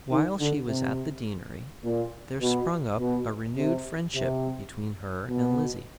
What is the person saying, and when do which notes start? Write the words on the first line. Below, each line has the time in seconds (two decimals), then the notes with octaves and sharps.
While she was at the deanery there sprung up a renewed friendship between her and Lizzie.
0.11 D#3
0.40 D3
0.68 C3
1.84 A#2
2.42 B2
2.99 B2
3.57 C3
4.14 C3
5.28 B2